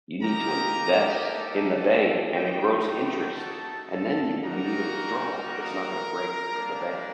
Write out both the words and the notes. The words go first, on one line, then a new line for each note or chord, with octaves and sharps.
You need to invest in the bank, and it grows interest, and then you when you need to withdrawal, it's not gonna break the bank."
A#3 D#4 G4 A#4 A#5
A4 A5
A3 D#4 F#4 G4 G5
G4 G5
A4 A5
A4 A5
G3 A#3 D#4 F#4 A#4 A#5
A#4 A#5
G3 A#3 D4